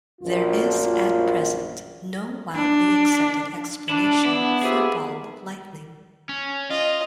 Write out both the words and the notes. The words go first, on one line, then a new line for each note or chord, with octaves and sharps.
There is at present no widely accepted explanation for ball lightning.
A#1 F#2 F4
D4
D4 E4 A5
B3 E4
F3 G4 G#4 E5
C#4
F4 D#5